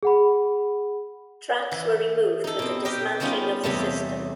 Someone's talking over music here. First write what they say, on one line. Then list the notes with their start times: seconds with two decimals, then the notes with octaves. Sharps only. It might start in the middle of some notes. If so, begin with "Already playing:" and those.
Tracks were removed with the dismantling of the system.
0.03 G#4 F#5 B5
1.71 E3
2.44 D#4 A4
2.59 B2 C4
2.85 G4 A#4 D#5 G5
3.20 G3 B3 C#4 D#4 F4
3.64 E2 C3 G3 A3